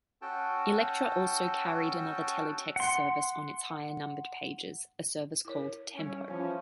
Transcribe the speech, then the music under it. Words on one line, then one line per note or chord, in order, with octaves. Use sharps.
Electra also carried another teletext service on its higher-numbered pages, a service called "Tempo".
C#4 F#4 A4 G5 A5
F#5 C6
E4 A#4 C#5
G3 C#4 C#5
E3 F3 C#4